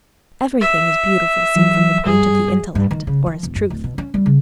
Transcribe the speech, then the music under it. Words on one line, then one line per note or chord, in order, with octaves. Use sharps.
Every thing is beautiful seen from the point of the intellect, or as truth.
E5
E3 F#3
G2 G3 G#4
G2
D#3
C#3
F3
E1
F#2
D1
B2
C#4
G3
C#3